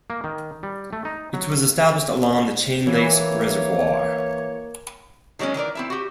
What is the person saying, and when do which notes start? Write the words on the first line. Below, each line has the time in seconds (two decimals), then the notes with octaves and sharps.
It was established along the Chain Lakes Reservoir.
0.10 A#3
0.24 D#3
0.63 G3
0.93 A3
1.05 D#4
1.34 F#3
2.87 E3 A#3 C#5
5.39 D#3 F#3 G#3 C4 C#4
5.54 D#3 E3 A#4 D5
5.75 C4 E4 E5
5.90 F#4 G4